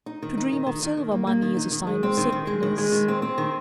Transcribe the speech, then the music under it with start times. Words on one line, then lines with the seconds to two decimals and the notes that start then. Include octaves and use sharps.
To dream of silver money is a sign of sickness.
0.06 D#4
0.22 D#3
0.38 D#4
0.53 D#3
0.66 D#3
0.83 D#3
0.97 D#3
1.12 A#3
1.27 A#3
1.42 D#3
1.57 D#4
1.72 D#3
1.87 G#3
2.03 C4
2.17 D#3
2.32 D#3
2.47 G#3
2.63 D#3
2.78 G#3
2.92 D#3
3.08 C4
3.22 C4
3.38 D#3